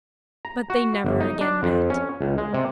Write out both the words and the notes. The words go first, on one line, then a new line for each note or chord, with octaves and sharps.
But they never again met.
A#5
F#4
G1
D#4
D4
F2
C#4
C#2
G#3
C3